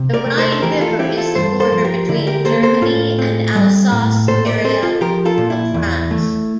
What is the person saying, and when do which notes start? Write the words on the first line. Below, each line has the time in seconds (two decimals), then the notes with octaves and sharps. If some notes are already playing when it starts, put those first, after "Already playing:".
The Rhine River is the border between Germany and Alsace area of France.
Already playing: C3
0.14 A#4 D5
0.26 A3
0.38 A4 C5
0.52 A4
0.62 E3 G4 A#4
0.81 F4 A4
0.99 C4 E4 G4
1.17 F4 A4
1.35 G2 A4 C5
1.60 A4 C5
1.72 F3
1.85 G4 A#4
2.09 D3 E4
2.27 G4 A#4
2.45 A#3 A4 C5
2.63 A4 C5
2.82 A2 F4 A4
3.19 C4
3.55 G3
3.92 A2
4.28 A#2 A4 C5
4.46 A#4 D5
4.65 C4 A4 C5
4.83 F4 A4
5.01 F3 G4 A#4
5.25 F4 A4
5.38 A#2
5.50 E4
5.74 E2
6.11 A3